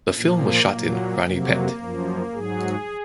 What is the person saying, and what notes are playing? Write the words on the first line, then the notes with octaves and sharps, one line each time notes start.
The film was shot in Ranipet.
A#2 F3 A#3
A#2 F#3
F2 C3 F#3 A#3
F#2 F3
G#2 F#3 G#4